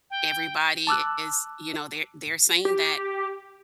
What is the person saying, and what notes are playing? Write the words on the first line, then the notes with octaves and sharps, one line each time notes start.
everybody is you know, they're they're saying that
G5
A5 D6 E6 F#6
G4